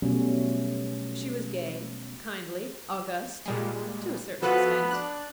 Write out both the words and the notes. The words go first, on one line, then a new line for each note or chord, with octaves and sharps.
She was gay, kindly, august--to a certain extent.
B2 F#3 G3 A3 C#4
A#2 G3 G#3
F3 B3 F#4 A4 B4 F#6
D4 F#6